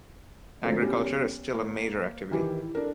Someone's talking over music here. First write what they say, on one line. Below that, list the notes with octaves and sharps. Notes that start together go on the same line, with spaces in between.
Agriculture is still a major activity.
G#2 D3 F3 A3 A#3 C4
B3 C#4 G4
A#3
D#3 E3 E4 G4 B4
D4 A4 A#4